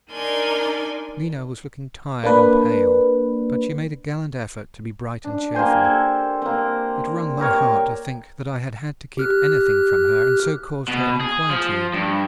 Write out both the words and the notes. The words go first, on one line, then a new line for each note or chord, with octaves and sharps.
Mina was looking tired and pale, but she made a gallant effort to be bright and cheerful, it wrung my heart to think that I had had to keep anything from her and so caused her inquietude.
D4 D#4 A#4 D5 G#5 C6
A#3 D4 B4
D4
A#3 G4 C5 G#5
A4
A#3 C4
G4 A#4 C#5
G4 F6 F#6
B2
G#4
F3
G2